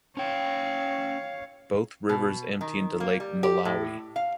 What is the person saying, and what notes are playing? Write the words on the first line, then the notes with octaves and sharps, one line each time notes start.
Both rivers empty into Lake Malawi.
C#4 C#5 F5 G5
B2
D#3
A#3
G3
G4
A2
F5